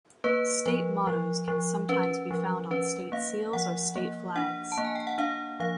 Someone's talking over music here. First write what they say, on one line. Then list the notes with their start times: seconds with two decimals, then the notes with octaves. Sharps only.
State mottos can sometimes be found on state seals or state flags.
0.24 A#3 B4
0.66 F3
1.07 F3
1.48 F3
1.89 C#4 B4
2.31 F3
2.71 C#4 B4
3.12 A#3 F5
3.53 F3 F#5
3.96 A#3
4.36 D4 F#5
4.72 A5
4.78 A#3
4.85 G#5
4.95 G5
5.07 F#5
5.18 D4 F5
5.60 F3 F5